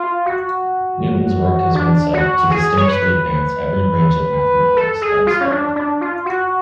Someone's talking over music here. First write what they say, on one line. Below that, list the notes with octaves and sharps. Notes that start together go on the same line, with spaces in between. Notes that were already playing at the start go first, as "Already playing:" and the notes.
Newton's work has been said "to distinctly advance every branch of mathematics then studied".
Already playing: F4
F#4
D4
F#4
G#4
C#5
B4
A4
G#4
F4
C#4
D4
D4
F4
F#4